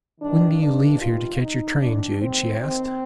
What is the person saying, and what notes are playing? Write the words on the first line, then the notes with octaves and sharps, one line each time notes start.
"When do you leave here to catch your train, Jude?" she asked.
G2 D#3 D4
D4
F4
D#4
D#2 D#3 D4
C4
C4